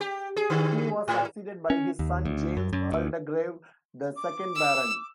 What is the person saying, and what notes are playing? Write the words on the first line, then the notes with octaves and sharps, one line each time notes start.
He was succeeded by his son James Waldegrave, the second Baron.
G4
G#4
D3
G#2
C#4
D#2
D2
F#2
F#2
D2
D6
E6